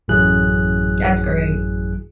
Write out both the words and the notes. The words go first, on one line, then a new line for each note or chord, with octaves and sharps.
That's great.
A1 F#2 F#3 E4 G#4 F#6